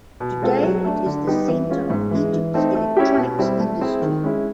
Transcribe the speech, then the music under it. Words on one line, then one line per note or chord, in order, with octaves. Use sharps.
Today it is the center of Egypt's electronics industry.
B2
G#3 C4 F4 A4
F#3
A3 D4
D3
G3 B3 D#4 G4
E3
G#3 C#4 F4
G#2
E3 G#3
E3
A3 C4 D#4
A3
C#4 E4 G4
B2
G3 C4 E4
A3
C4 E4 G#4 C5
D#3
G#3 C#4 E4